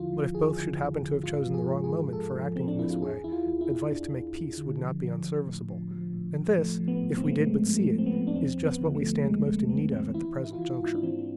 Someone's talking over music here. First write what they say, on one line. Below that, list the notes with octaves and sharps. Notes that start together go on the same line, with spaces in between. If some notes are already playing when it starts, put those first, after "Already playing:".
But if both should happen to have chosen the wrong moment for acting in this way, advice to make peace would not be unserviceable; and this, if we did but see it, is just what we stand most in need of at the present juncture.
Already playing: E2 D3 F3 E4 F4
F3
E2 G#4
D3
E2
E2
G#2 F4
F3
G#4
G#2
G#4
G#2
G#2 A4
F3
G#2 C4
D4
G#2 E4
F4
E2 G#4
E2 E4
F4
E2
E4
E2
E2 D4
E2
E2
D3
F3
F3
F3
A2
F3
F3
A2
A2
F3 A3
F3
B3
G#2
C4
G#2 B3
A3
B3
G#2 G#3
F3
A3
F3
C4
B3
F3
D4
E2 C4
E2
B3
D3
A3
F3
E2 G#3
E2 A3
E2 B3
E2 C4
E3 E4
E3
E4
F4
E3 E4
F4
G#2
E4
D4
E3 C4
C4